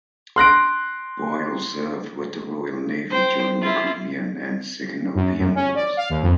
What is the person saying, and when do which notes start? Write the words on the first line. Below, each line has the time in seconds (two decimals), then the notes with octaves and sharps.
Boyle served with the Royal Navy during the Crimean and Second Opium Wars.
0.36 C6 F#6 A#6 D7
3.10 C5 G5
3.61 E4 F4
5.15 F#2
5.39 F#2
5.55 C#4
5.75 D5
5.97 F5
6.10 D#2
6.23 F2